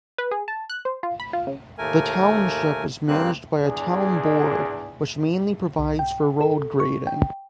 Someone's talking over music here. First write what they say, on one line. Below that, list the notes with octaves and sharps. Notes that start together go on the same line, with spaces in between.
The township is managed by a town board which mainly provides for road grading.
B4
G#4
A5
F#6
C5
F4
B5
F4
C#3
D#2 A3 A#4 G#5
G2 C#3 A#3 C4 F#6
E2 D4 G#4
C2
G5
A4
C#6
G5